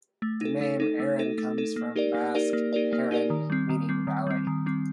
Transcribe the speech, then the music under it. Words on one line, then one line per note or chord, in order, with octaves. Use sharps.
The name Aran comes from Basque "haran", meaning valley.
A3
D#4 A4
A3
D#4 A4
A3
D#4 A4
A3
D#4 A4
A#3
D#4 G4 A#4 D5
A#3
D#4 G4 A#4 D5
A#3
D#4 G4 A#4 D5
A#3
D#4 G4 A#4 D5
D#3
G3 C4
D#3
G3 C4
D#3
G3 C4
D#3
G3 C4